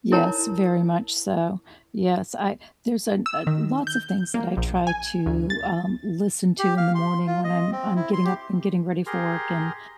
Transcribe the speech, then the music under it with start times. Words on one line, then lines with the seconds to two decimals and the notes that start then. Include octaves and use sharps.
Yes, very much so. Yes, I There's an uh, lots of things that I try to, um, listen to in the morning when I'm I'm getting up, and getting ready for work, and,
0.12 E4 A#4 C#5 A5 A#5
3.26 E6
3.47 D#3
3.87 G6
4.34 A#3
4.57 A#1
4.87 G#5
5.26 D2
5.50 A6
6.59 G4
6.77 F5
6.95 C6
7.27 F4
7.44 D#5
7.72 C4
7.96 E4
8.13 C6
8.25 G4
9.06 G4 G#4 A#4 A#5 C6